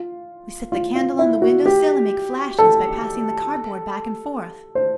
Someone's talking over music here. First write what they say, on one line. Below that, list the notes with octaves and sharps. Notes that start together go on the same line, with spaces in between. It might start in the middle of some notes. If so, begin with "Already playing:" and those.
We set the candle on the window sill and make flashes by passing the cardboard back and forth.
Already playing: F4
F4
F4
E4
F#4
G4
A4
C5